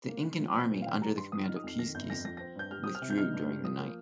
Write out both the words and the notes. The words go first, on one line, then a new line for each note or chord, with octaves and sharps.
The Incan army under the command of Quizquiz withdrew during the night.
A#3
D#3
F3
C4
A#2
F5
D#3 G5
G3 A#5
G2 C6
F3 D#6
F6
D#4
D#6
F2 C7
D#3 A#6
G1 G6
F2 A#6
F3 A#6
A#6
C4
G2 G6
G3 F6
C4 D#6
F6
C3
G6
D#4 F6
G2
G3
F3 D#6
A#3